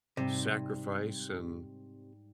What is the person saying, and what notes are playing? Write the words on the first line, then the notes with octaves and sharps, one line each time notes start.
sacrifice and
G#2 C3 G3